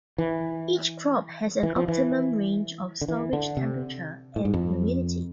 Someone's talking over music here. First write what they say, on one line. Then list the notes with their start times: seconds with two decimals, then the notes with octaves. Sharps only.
Each crop has an optimum range of storage temperature and humidity.
0.18 E3
1.63 E3
1.76 F3
1.88 E3
3.01 D3
3.08 E3
3.33 D3
3.57 C3
4.36 A2
4.45 G#2
4.54 F2